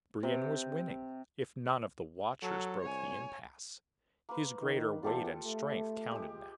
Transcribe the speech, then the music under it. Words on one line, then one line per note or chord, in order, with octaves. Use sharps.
Brion was winning--if none of the watchers broke the impasse. His greater weight and strength counted now.
C3
F#3 A4
C2 C#5 G#5
A#3 B4
D#3
E2 F4 G4 A4
A3
G#3 G4